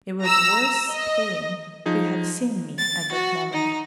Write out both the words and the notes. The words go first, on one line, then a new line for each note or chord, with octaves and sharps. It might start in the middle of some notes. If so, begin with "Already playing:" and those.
It was worth paying to have seen me at that moment.
A#5 E6
D#5
F3 D#4 G#4
A6
F#4
D#4